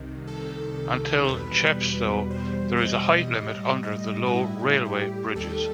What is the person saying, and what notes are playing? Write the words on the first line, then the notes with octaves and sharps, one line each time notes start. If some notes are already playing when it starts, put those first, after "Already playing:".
Until Chepstow, there is a height limit under the low railway bridges.
Already playing: C2 C3 D#3
A4
C5
E2 B2 G3 B4
C5
C5
D#5
A2 G3
D#5
F#4
E4
E4
G4
D#2 D#3 G3 A4